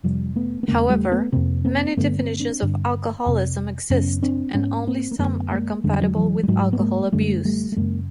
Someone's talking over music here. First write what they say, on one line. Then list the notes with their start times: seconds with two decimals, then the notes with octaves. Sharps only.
However, many definitions of alcoholism exist, and only some are compatible with alcohol abuse.
0.03 F2 C3 F3 G3
0.36 A3 B3
0.63 B3
0.68 E2 C#3 G#3 A#3
0.90 G3 A3
1.12 A3 B3
1.32 F2 C3 A#3 C4
1.65 A#3 C4
1.97 G2 D3 A3 B3
2.19 A#3 C4
2.40 C4 D4
2.62 G2 D3
3.26 F2 C3
3.90 F#2 C#3 B3 C#4
4.23 C4 D4
4.54 G#2 B3 C#4
4.87 A#3 C4
5.11 A#3
5.19 F#2 D3 A3 B3
5.51 G#3 A#3
5.84 F2 D3 G#3
5.93 G3
6.01 F#3 G#3
6.16 E3 F#3
6.43 G3
6.48 G#2 F#3 G#3
6.73 B3
6.80 G#3 A#3
7.12 F#2 D3 G3 A3
7.45 G3 A3
7.72 A3
7.76 F#2 C#3 G#3 A#3